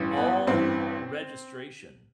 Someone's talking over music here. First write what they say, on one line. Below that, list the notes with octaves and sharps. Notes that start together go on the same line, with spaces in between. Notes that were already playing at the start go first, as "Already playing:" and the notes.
all registration,
Already playing: A1 G2 E3
B3
A1 G2 E3 C4